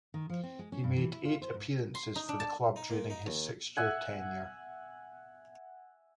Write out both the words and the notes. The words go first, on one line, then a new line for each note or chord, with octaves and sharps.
He made eight appearances for the club during his six-year tenure.
D#3
F3
C4
G#3
C#4
G2
E3
E4
F4
C5
G#2
C6
D#4
D4
A5
D#4
A#2
D#4
D#2
E5 F#5 G#5